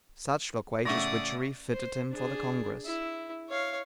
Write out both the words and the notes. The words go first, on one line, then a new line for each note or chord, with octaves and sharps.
Such loquacious witchery fitted him for the Congress.
A2 C#3 D5 E5 F#5 C#6 D#6 A#6
C5
D4 G#4
E4
C#5 F5